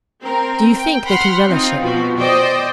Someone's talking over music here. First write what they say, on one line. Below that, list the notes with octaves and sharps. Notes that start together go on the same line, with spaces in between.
Do you think they can relish it?
C4 A#4
G5
F#5 B5 C6 F6
C4 D#4 F4
B2 F3 F#4
C5 D5 D#5 G5